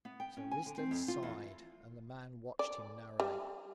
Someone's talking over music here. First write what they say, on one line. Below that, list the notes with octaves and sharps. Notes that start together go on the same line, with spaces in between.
Sir Risdon sighed, and the man watched him narrowly.
B3
G5
C#4
G#5
D3
C4
F2
F4
E2
D5
G3